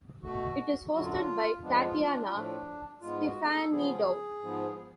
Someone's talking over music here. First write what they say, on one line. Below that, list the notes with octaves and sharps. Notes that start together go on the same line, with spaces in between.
It is hosted by Tatiana Stefanidou.
B2 A3 F#4
F#2 D3 F#3 F#4
F4
D4
F4
F2 F3 G#3 B3 D4
F4
F4
D4
F4
A2 F3 A3 D4
G#2 G#3 B3 F4
F#4
G#4
A4
C#3 F3 B3 G#4
G#2 F3 B3